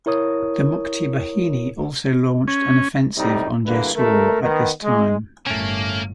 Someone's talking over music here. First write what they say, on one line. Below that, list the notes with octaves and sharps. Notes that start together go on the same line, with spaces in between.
The Mukti Bahini also launched an offensive on Jessore at this time.
E4 A#4 C#5 D#6
C#4
A2 C3 G3 D#4
D2 G2 D3 A#3 E4 B4
D2 A3 A4 A#4
D#3 B3
G#3
G1 A2 A3 A#3 C#4